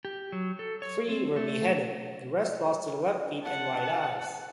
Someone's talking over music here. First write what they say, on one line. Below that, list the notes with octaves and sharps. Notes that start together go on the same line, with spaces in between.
Three were beheaded; the rest lost their left feet and right eyes.
G4
F#3
A4
C#5
C4
A3
F#5 A5